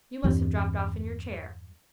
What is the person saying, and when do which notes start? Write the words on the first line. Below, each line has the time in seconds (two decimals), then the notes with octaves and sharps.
You must have dropped off in your chair.'
0.24 E2 G2 G3 C4